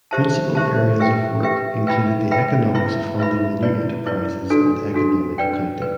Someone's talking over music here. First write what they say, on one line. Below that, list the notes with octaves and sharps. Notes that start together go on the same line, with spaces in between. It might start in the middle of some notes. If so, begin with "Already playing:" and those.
Principal areas of work included the Economics of Funding new enterprises and Economic Accounting.
G4 C5 E5 A5
G4 C5 E5 A5
G4 B4 E5 G5
G4 B4 E5 G5
B4 E5 G5 B5
B4 E5 G5 B5
E4 B4 E5 B5
E4 B4 E5 B5
E4 B4 D5
E4 B4 D5
D4 F#4 A4
D4 F#4 A4
B4 D5 G5
B4